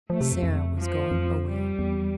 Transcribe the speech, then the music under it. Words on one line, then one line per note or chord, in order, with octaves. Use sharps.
Sara was going away.
F3 A3
C3
F2
F2
F3
F2
G3
E2